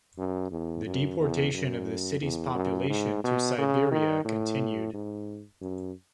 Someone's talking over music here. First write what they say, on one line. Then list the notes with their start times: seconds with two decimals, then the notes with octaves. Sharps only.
The deportation of the city's population to Siberia continued.
0.18 F#2
0.51 E2
0.86 F#2
1.20 E2
1.54 F#2
2.21 E2
2.55 F#2
2.90 G#2
3.24 B2
3.58 C#3
3.91 D#3
4.25 A2
4.94 G#2
5.61 F#2